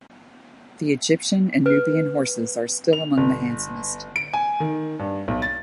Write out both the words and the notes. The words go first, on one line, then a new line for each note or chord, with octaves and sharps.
The Egyptian and Nubian horses are still among the handsomest.
B4
F7
G1
D7
G#5
D#3
G2
B1
A6